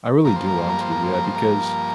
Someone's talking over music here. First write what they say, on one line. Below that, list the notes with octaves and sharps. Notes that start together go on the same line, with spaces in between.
I really do want to, yeah, because,
G2 F3 A#3 A#4
C5
A#4
C5
A#4
C5
A#4
C5
A#4
C5
A#4